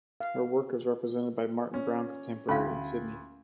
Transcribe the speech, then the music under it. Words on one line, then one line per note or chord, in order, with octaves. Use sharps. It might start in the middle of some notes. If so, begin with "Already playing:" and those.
Her work is represented by Martin Browne Contemporary in Sydney.
F5
C#4
D2 C#4 F5 B5